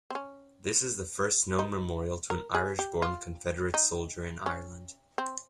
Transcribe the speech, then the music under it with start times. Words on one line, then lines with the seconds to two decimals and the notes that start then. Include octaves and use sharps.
This is the first known memorial to an Irish-born Confederate soldier in Ireland.
0.10 C4
0.15 C#4
1.59 D#4
2.30 A#4
2.55 G#4
2.79 G4
3.02 F4
3.74 D#4
4.46 C#4
5.18 C4